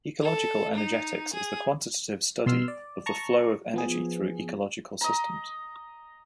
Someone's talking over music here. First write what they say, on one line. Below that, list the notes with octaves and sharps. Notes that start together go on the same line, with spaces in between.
Ecological energetics is the quantitative study of the flow of energy through ecological systems.
A4
D#4
G#4
B2 C6 E6 F6
D5
A5 A#5 C#6
F3 B3 G#4
D#5 A#5